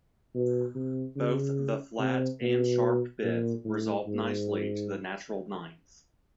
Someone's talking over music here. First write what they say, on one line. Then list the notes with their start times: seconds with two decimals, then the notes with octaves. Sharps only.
Both the flat and sharp fifth resolve nicely to the natural ninth.
0.35 B2
0.75 C3
1.16 C#3
1.99 C3
2.42 B2
3.24 A#2
3.65 A2
4.07 G#2